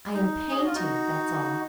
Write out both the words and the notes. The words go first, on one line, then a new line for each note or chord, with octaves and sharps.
I am painting; that's all.'
D#4
G#4
F#4
F4
D#4 F#4